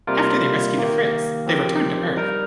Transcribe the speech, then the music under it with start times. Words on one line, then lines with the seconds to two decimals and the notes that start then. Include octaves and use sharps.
After they rescue the Friz, they return to Earth.
0.07 C3 G3 A#3 F4 A#4
0.77 D#3 A#3 G4
1.46 F3 C4 G4 A#4
2.17 G3 D#4 A#4